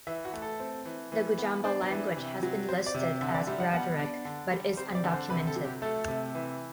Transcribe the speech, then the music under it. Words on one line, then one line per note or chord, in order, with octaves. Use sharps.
The Gujambal language has been listed as Wiradhuric, but is undocumented.
E3 E5
F#4
A3
A4
C4
E3
E3
B3
D4 C5
D5
E3
C3
F#3
C4 C5
D5
C3
E5
D3 E5
D5
G3 E5
F#5
B3 F#5
D4
D3
G3
C4 C5
D5
D3
C5
C3 B4
A4
F#3
G4
A3 A4
C3
E3